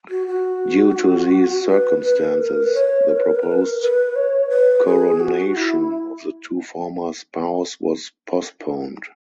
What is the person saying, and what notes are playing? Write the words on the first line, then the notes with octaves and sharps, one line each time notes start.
Due to these circumstances, the proposed coronation of the two former spouse was postponed.
F#4
F#4
B4
B4
A#4
B4
C#5
A#4
B4
A#4
B4
A#4
B4
A#4
B4
C#5
B4
G#4
F#4
E4